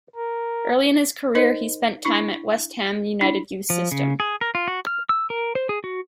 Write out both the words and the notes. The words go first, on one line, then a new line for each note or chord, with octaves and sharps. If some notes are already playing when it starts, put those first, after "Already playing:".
Early in his career he spent time at West Ham United's youth system.
A#4
D#4 A#4 C5 D#5
D4 E4 C#6
D4 E4
F3
C#3
G#4
A#4
F4
F#4
F6
E6
A#4
C5
G#4
F#4